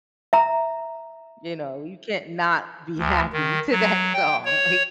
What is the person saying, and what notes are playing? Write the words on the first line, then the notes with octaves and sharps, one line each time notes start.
you know, you can't not be happy to that song, like,
E5 A#5
D2
D#3
F#3
G5
C#5